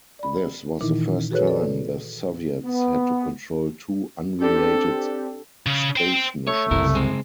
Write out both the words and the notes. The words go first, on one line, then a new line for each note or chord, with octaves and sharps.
This was the first time the Soviets had to control two unrelated space missions.
D5 B5
A#2 D#3 E3 D#4 E4
F#4 G#4 A4 B4 C#5 F#6
A4 D5
B3
C4 D4 G4 A4
C#3
C5 G5
A3 C#5
C2 F#2 C#3 E4 A#4
G#3 C4